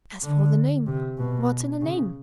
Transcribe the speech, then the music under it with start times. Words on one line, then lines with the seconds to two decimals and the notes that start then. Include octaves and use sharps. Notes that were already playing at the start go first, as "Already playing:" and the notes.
As for the name--what's in a name?
0.23 D3
0.87 C3
1.18 B2
1.82 C#3